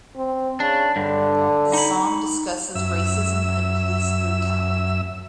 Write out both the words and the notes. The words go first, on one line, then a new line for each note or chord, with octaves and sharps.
The song discusses racism and police brutality.
C4
C#3 D4
G2 D3
D#4 B5
F#2 E5 E6